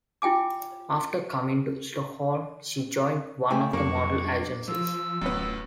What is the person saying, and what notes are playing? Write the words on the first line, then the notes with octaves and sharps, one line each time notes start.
After coming to Stockholm she joined one of the model agencies.
E4 F4 G5 G#5 D6
A3 E4 G4 G#5
F2 F#3 G3 A#3 D4 C#6
F3 F4 E6
D1 F#2 A2 B3